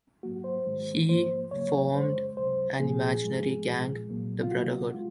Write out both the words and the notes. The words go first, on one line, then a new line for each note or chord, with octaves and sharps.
He formed an imaginary gang, the Brotherhood.
G#2 F#3 A#3 F#4
C5
G#2 D#3 G#3
G#2 F3 A#3 C5
F2 C#3 F#3 A#3 C#5
F#2 C#3 G#3 C5
C#2 C3 F#3 C5
A#2 F3 A#3 G#4
G#2 F3 G#3
A#2 F3 G#3
C2 A#2 F#3 A#3
F4
C2 C3 F#3 A#3 F#4
G#3 F4